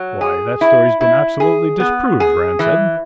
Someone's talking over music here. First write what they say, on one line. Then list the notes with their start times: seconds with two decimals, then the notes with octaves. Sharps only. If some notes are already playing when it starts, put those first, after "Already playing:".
"Why, that story's been absolutely disproved," Rand said.
Already playing: F#3
0.21 G#4
0.61 E4
1.01 E4
1.40 G#4
1.80 B3
2.20 G#4
2.59 E3